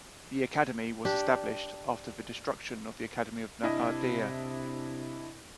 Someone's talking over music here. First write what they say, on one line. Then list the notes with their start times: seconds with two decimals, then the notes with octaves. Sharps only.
The academy was established after the destruction of the academy of Nehardea.
1.05 D4 G4
3.63 C3 D4 E4 D#5